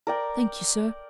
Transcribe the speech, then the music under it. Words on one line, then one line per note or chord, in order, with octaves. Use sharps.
"Thank you, sir."
A#4 D5 G5